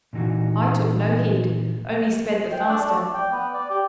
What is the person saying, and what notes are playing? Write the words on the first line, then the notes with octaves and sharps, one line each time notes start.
I took no heed--only sped the faster.
A#2 E3 D#4 F#4
G5
D4
A3
D5
G5
B3
D5
G4